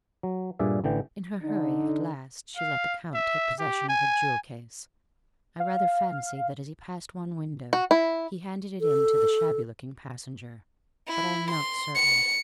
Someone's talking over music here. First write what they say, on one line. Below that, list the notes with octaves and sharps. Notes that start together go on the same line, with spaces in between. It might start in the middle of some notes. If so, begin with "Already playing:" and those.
In her hurry, at last, she let the Count take possession of her jewel-case. I rather fancy that as he passed one window he handed it in to the shabby-looking passenger; but I am not certain.
F#3
G2 A#2 G#4 D5 E5
A1 D3 E3 G5
D3 D#4
F5
E5
G4
G#5
F5
F#4
E4
A4
E4
C6
C#7